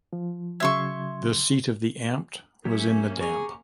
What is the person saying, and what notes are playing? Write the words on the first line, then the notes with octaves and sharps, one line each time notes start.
The seat of the "Amt" was in Damp.
F3
C#3 F#3 E5 C6 C#6 G#6
F#3 A#3 C#4 G4 C#5 E5
G4 G#4 A#5 C#6